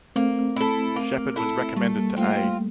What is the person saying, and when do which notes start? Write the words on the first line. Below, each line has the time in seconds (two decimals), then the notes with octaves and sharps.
Shepard was recommended to A.
0.16 A3 A#3 C4
0.56 E4 A4
0.96 A#3
1.36 E4 A4
1.76 G3 A3 A#3
2.16 A3 C4 F4